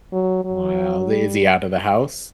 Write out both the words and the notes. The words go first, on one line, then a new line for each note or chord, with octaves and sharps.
Wow, they is he outta house?
F#3
F#3
G3